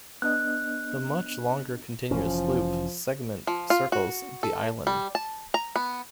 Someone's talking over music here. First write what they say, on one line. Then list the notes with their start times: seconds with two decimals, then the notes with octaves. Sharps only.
The much longer continuous loop segment circles the island.
0.22 B3 D4 D#5 F#6
2.11 F1 E3 F3 C#4
3.47 F3
3.70 F4
3.92 F#4
4.43 A4
4.87 G3
5.15 A5
5.54 A#5
5.76 B3